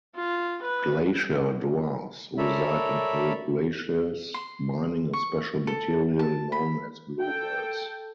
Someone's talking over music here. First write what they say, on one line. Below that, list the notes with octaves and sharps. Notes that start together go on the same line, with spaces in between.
Glacier dwarves reside in cold glaciers, mining a special material known as blue ice.
F4
B4
A4 A#4 C#5 D5 E5 B5
C6
C#6
A4
A5
B5
A4 G5